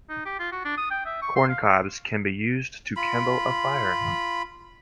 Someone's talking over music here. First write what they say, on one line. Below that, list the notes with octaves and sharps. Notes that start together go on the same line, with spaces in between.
Corn cobs can be used to kindle a fire.
D#4
G4
F4
F#4
D4
D#6
G5
E5
C#6
C6
F5
F4 B5